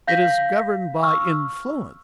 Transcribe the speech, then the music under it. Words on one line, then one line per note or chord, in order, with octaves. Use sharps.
It is governed by influence.
F5 G6 A#6 B6
C#6 E6 F6